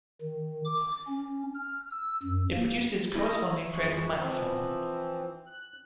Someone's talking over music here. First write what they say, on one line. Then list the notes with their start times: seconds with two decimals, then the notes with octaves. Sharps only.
It produces corresponding frames of microfilm.
0.21 D#3
0.65 D6
1.07 C#4
1.54 F6
1.91 E6
2.23 F#2
2.53 A#3
3.15 E4 D#5
3.72 F2 G#3 C#6
4.17 E3 F3 C4
5.46 F#6